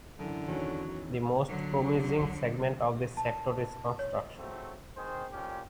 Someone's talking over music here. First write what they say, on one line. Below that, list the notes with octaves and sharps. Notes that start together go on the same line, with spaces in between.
The most promising segment of this sector is construction.
F#2 D3 E3
E2 D#3 F#3 C#4
D3 F#3
A5
C#5
G#2 F#3 A3 C4
D#3 C4 G#4 C5
F2 A#2 C#4 G4